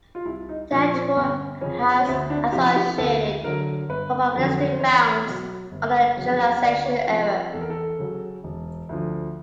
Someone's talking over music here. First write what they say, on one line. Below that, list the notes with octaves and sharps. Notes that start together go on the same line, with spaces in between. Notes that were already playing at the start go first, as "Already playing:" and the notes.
That rule has associated probabilistic bounds on the generalization error.
F4
C2 E4
D#4
A#2 F3 D4
C4
G1 B3
F2 C#3 F3 C#4
C#4
D2 C4
D4
C3 F3 G4
G4
D2 A4
D3 F#3 A#4
G1 B4
F2 D3 F#3
C5
E2 C#5
B2 F#3
G1
F2 C#3 F#3
D2 D5
C#5
C3 F3
A#4
E2 A4
A#4
A4
C#3 F#3
E1
D2 D3 F3